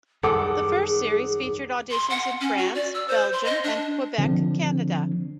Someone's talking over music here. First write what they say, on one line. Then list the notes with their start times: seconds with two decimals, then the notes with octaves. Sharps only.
The first series featured auditions in France, Belgium, and Quebec, Canada.
0.23 F#2 D#3 G3 G#4 A4 F#5 D6
1.91 C6
2.10 F#5
2.41 C#4
2.57 F#4
2.75 D5
2.94 E6
3.08 C5
3.33 C6
3.45 D#5
3.64 D4
4.18 D3 F3 C4 D4